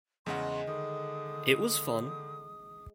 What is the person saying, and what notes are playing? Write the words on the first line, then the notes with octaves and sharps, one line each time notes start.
It was fun.
E2 C#3 G#3 F#5 C6
D3 D#3 D#6